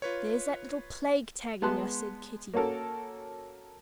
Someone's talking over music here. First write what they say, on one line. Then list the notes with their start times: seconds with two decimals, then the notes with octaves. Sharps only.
"There's that little plague tagging us," said Kitty.
0.02 F4 B4 C#5
1.62 G#3 B3 A5 C6 F#6
2.54 A#3 C#4 F#4 A4 A#4